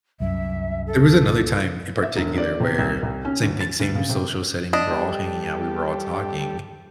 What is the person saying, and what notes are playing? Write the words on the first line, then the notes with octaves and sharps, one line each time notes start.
there was another time in particular where same thing, same social setting, we were all hanging out, we were all talking.
C2 F#2 E5
A4
E5
E1
D5
C3
C2
C2
C#4
D2
A6
D2
C#3
C3
D4 D#5
G3 G4 A4